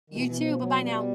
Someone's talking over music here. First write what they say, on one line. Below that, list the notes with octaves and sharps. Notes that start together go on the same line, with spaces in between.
You too, bye-bye now.
D#3
B2 E3
E3
F3 B3
F#3 B3
G3 B3